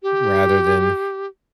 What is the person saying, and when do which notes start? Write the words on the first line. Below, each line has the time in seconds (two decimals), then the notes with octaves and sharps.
rather than
0.03 G4